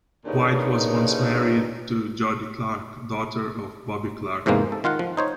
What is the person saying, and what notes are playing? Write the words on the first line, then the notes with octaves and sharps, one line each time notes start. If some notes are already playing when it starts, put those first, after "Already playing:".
White was once married to Jody Clarke, daughter of Bobby Clarke.
D#2 A#2 C#3 B3 D4 D#4
E2 G#2 C3 G#3 A#3
A4
D#3 F4 F5 F#5
F3
D#4 C5 C#5